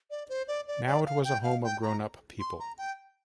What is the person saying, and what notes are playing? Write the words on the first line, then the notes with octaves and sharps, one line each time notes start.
Now it was a home of grown-up people.
D5
C5
D5
D5
D5
F5
G5
F5
G5
A#5
C6
A#5
G5